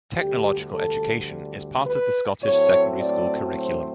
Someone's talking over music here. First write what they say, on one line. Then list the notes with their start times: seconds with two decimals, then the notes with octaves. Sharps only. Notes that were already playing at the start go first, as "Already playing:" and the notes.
Technological education is part of the Scottish secondary school curriculum.
0.18 D2 D3 G3 G4
0.74 A4
1.87 B4
2.44 A2 F#3 A3 C4 C#5
3.00 D5
3.56 C5